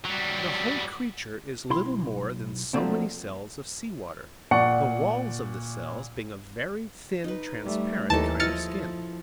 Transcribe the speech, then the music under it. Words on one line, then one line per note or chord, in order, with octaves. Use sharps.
The whole creature is little more than so many cells of sea-water, the walls of the cells being a very thin, transparent kind of skin.
F#3 G3
B1 E4 B5 C6
F3 F#3 A3 A#3 C4 D4
A#2 D5 F#5 C#6 C#7
D#4 B4
G3 A3
D#2 E3 D#4 A4 A5
F3 E4 D#5 F6 A6 C#7